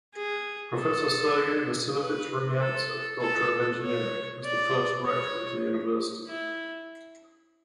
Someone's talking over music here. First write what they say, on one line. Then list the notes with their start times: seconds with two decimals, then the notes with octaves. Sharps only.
Professor Sergey Vasilievich Rumiantsev, Doctor of Engineering, was the first Rector of the University.
0.15 G#4
0.77 A4
1.99 B4
2.60 A4
3.21 A4
3.82 C#5
4.44 D5
5.05 C#5
6.28 E4